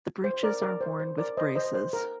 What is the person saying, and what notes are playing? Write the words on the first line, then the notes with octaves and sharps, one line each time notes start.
The breeches are worn with braces.
C5
A#4 D5
A#4 D5
C5
C5
A#4 D5
C5 D#5
C5 D#5
C5
A#4